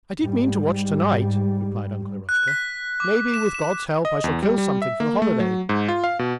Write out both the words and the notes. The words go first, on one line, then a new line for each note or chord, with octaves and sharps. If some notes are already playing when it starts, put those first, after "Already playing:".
'I did mean to watch tonight,' replied Uncle Eroshka. 'Maybe, with God's help, I shall kill something for the holiday.
G#2 G3
F#6
B6
D6
E7
E7
D#5
E2
G3
G3
E5
A#3
A3
F#3
G#2
F4
F5
B2